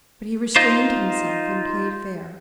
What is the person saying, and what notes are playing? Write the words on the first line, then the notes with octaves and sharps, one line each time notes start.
But he restrained himself and played fair.
D#4 F4 C5